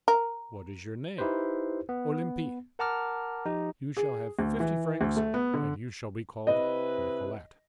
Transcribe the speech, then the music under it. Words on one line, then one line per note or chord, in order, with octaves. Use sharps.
"What is your name?" "Olympie." "You shall have fifty francs, and you shall be called Nicolette."
A#4
D#4 E4 G4 B4 C5
B3
A#4 F#5 A5 A#5 D6 F6
F3 D#4 G4
G#4
D2
E3
D2
A3
B3
D3
C3 E4 B4 D#5